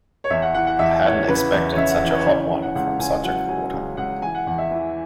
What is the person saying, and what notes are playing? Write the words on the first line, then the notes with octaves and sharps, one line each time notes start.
I hadn't expected such a hot one from such a quarter.
C#5
E2 E5
F#5
E3 F#5
F#5
E2 E5
E3 C#5
C#3 B4
E2
C#5
C#3 E5
F#5
E3
B4
C#5
C#3
C#3
F#5
C#2 F#5
C#2 G#5
F#3 F#5
F#3 G#5
C#2
C#2 F#5
E3 G#5
F#5
E2 F#5
E5
E3